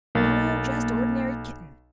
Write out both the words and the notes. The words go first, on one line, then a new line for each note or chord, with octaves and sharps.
"No; just ordinary kitten."
B1 A#3 A6